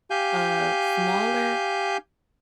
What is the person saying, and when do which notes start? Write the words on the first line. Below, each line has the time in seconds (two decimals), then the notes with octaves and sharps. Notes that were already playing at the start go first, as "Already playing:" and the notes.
a smaller
0.10 G4 F5 G#5 G6